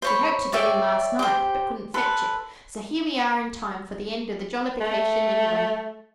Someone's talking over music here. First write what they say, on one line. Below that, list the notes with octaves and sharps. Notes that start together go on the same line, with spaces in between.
We hoped to get in last night, but couldn't fetch it, so here we are in time for the end of the jollification, anyway.'
C5 C#5 B5
C#5 D5 E5 G5
G4 C5
A4 B4 C6
A3